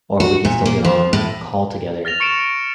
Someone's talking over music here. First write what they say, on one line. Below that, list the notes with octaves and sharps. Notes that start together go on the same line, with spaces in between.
or we can still get on a call together,
F#4
A#2
A#3
F3
A2
F6 A6 A#6 F7
C#6 C#7 D7 E7